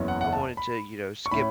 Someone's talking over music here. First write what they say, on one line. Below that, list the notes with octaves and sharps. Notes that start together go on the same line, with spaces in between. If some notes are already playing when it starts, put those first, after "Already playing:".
I wanted to, you know, skip,
Already playing: F#1 E2 E3 C#4
F#5
F#5
A5
B5
C#6
A2 A3 C#4 B5